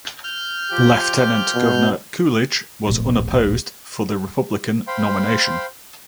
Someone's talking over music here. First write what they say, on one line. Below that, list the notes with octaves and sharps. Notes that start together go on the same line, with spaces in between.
Lieutenant Governor Coolidge was unopposed for the Republican nomination.
F6 G6
F3 F4 G4
B2
D1 A#1
C5 F5 G5 B5 C6